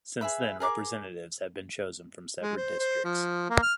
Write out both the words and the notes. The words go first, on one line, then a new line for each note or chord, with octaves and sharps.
Since then, Representatives have been chosen from separate districts.
G#4 B4 E5 B5
G#4 A#4 D6
G#3
C5
C5
F3
A#3
F6